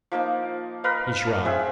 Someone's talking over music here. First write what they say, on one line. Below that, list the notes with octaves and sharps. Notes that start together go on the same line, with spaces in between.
He shrugged.
F3 A#3 D#4 D6
A#4 B4 D#5 F5
A5
C4 G#4 E5 F#5